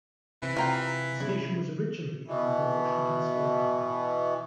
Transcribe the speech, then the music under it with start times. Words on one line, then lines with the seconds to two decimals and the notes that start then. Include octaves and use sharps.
The station was originally owned by the Washington Star Company.
0.43 C3 E3
0.57 C3 F4 A#4 G5
1.20 C#3 E4
2.27 B2 E3